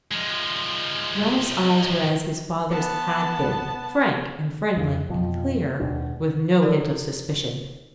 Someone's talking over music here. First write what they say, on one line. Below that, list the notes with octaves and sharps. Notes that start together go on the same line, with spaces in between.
Ralph's eyes were as his father's had been--frank and friendly and clear, with no hint of suspicion.
F3 G#3
B3 A5
F2 C#3
F2 B2 F3
D#2 B2 G#3 D4
D#4 E4 F#4 A4 A#4 D5